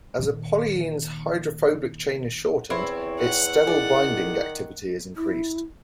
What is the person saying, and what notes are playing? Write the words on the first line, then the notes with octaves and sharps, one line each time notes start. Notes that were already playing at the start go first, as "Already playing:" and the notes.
As a polyene's hydrophobic chain is shortened, its sterol binding activity is increased.
A#2 D#3
E2 C4 E4 C#5
F#5
D#3 E4 G#4 D5
E4